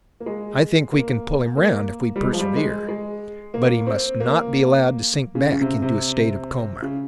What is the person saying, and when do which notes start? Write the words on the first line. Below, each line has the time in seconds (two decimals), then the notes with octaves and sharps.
I think we can pull him round if we persevere, but he must not be allowed to sink back into a state of coma.
0.20 A#3
0.26 G#3
0.92 A#3
1.57 A#3
2.16 G3
2.23 G#3
2.33 F3
2.40 G3
2.56 G#3
2.88 G#3
3.54 A#3
3.87 C4
4.20 A#3
5.35 C#3
5.52 C#3
5.61 C3
5.82 C3
6.18 C3
6.82 C#3